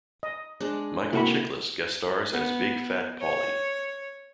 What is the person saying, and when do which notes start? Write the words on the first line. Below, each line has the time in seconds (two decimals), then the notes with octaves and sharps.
Michael Chiklis guest stars as Big Fat Paulie.
0.23 D#5
0.60 G#3 D4
1.13 C3 A#3 E4 F#4 B5
2.32 B3
3.21 C#5